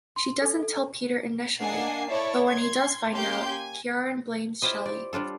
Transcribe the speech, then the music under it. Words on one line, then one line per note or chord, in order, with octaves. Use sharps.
She doesn't tell Peter initially but when he does finds out, Ciaran blames Shelley.
C6
A4
A4
A#3 D4 D#5 F#5 G#5 C7
E4 A4 C#5 D5
C6 G#6
A#3 C#4 G4 F5 C6 G6
G#5
E4 F4 G4 C5 D#5
D5
G3 D4 F4 A4